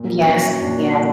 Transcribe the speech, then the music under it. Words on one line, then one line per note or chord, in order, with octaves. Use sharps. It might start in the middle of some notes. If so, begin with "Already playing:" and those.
Yes, yes.
Already playing: A#2
F#3 C#4
A#2 D4
A#2 D#4